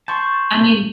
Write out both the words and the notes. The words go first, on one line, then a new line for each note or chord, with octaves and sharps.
I mean
A5 C6 C#6 G6